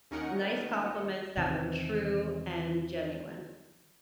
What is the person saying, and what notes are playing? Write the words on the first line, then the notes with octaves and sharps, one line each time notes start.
nice compliments that were true and genuine.
D#2 C#4 D#4 A#4 F#5 C#7
E2 C3 D#3